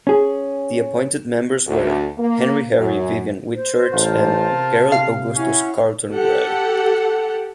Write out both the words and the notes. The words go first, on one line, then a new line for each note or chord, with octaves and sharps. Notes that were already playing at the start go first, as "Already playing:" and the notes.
The appointed members were Henry Harry Vivian Whitchurch and Gerald Augustus Carlton Grell.
C#4 G#4
D2
A#3
F#2
C5
A1 F4 A#4 A5
C3
F5
C#4 E4 F#4
G4 A4 F#5